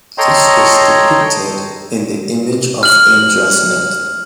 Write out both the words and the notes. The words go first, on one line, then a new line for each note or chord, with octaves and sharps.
This is depicted in the image of Indra's net.
A4 C#5 D#5 G5 A#5 C6
F6 F#7